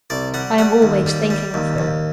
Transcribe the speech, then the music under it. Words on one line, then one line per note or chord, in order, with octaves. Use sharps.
I am always thinking of her.
C2 D5
G3 F#5
G3 F#5
D#2
G3
G3
D#2
D#2